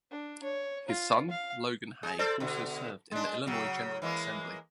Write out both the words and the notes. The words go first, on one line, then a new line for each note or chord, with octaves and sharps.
His son Logan Hay also served in the Illinois General Assembly.
D4
C#5
F4
F5
G#4
A4 C5 D5
B2 D3
G#3 D4
C#3 F#3
E3 G#3 A#3